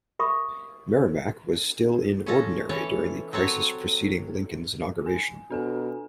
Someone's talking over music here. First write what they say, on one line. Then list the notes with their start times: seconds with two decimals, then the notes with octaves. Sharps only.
"Merrimack" was still in ordinary during the crisis preceding Lincoln's inauguration.
0.19 G4 A#4 E5 B5 C#6 D#6
2.26 C#4 F4 A4 A#5
2.69 E3 C#4 A4 C#5
3.33 F#3 C4 A4 C#5
5.06 G#5
5.50 B2 D4 A4 G#5